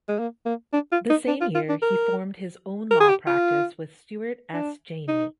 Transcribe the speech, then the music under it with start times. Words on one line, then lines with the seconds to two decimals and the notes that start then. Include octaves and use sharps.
The same year, he formed his own law practice with Stuart S. Janney.
0.08 G#3
0.19 A#3
0.46 A#3
0.73 D4
0.92 F4
1.10 D#4
1.28 D4
1.41 F4
1.55 F4
1.69 D4
1.82 A#4
2.91 A#4
3.01 G#4
3.09 G4
3.27 F4
4.54 D4
5.08 D#4